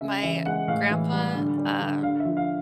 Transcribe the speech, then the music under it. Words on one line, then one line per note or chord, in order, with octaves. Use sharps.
my grandpa, uh,
C#3 E5
E3 E5
G#3 F#5
A2 F5
E3
G3
D3
G3
D3
D3 F5
E5
F3
F5